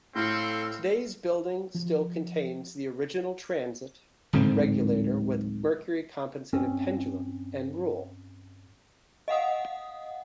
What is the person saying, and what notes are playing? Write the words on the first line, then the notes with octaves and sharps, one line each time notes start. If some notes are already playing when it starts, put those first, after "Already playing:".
Today's building still contains the original transit, regulator with mercury-compensated pendulum, and rule.
A2 C4 A4 F5 C6 G6
F3
D1 G#2 D3 C4
G2 C4 C#4
D#5 F5 F#5 D#6